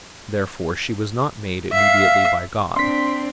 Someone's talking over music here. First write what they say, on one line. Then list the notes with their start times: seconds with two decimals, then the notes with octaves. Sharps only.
Therefore she was not made immediately by God.
1.73 E5 F5
2.76 C4 D4 C6 B6